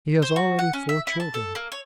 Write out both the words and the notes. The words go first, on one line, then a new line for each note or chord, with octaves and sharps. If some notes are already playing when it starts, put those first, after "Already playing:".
He has already four children.
C5
F#4
F#5
C#4
E5
E4
A5
A4
A#3
C#5